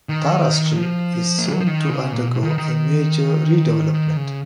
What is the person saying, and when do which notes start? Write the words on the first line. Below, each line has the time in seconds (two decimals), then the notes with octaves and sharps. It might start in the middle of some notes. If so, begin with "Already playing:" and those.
Tara Street is soon to undergo a major redevelopment.
0.09 D#3
0.76 F3
1.38 A#3
1.46 G#3
1.53 F#3
1.60 F3
1.67 D#3
1.90 C#3
2.13 A#2
2.28 B2
2.43 D#3
2.58 D#3
3.94 D#3
4.17 C#3